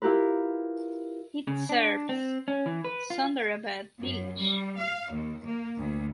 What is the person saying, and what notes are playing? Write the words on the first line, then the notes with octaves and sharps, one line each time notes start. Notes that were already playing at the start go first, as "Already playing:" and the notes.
It serves Sunderabad village.
E4 F4 G4 A#4 B4
C#3
D4
C4
C#4
E3
B4
F4
F#2
G3
F5
D#2
A#3
D2